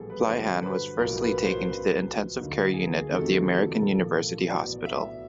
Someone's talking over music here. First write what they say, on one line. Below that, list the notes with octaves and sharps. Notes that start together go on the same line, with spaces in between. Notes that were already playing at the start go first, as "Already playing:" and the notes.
Fleihan was firstly taken to the intensive care unit of the American University Hospital.
Already playing: A#1 A2 E3 G3 B3 G#4 A4
B4
B4
G2 D3 F#3 C5
B4
B1 A2 F3 A#3 A#4
B4
C5
C#2 C#3 F3 B4
D2 D3 F#3 A#3 D#4
G#4
F2 C3 D#3 F#3 A3 A4
A#1 A#2 F3 A#3 A4
B1 A2 F#3 B3 D5
E5